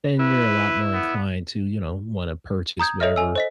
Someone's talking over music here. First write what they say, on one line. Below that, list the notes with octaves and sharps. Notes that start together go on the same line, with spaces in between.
then you're a lot more inclined to, you know, wanna purchase whatever
E4 B4
B3
A#5 D#6 G6 G#6
A4 C#5 D#5 E5 F6
A4 G#5 E6
C5 D#5 B6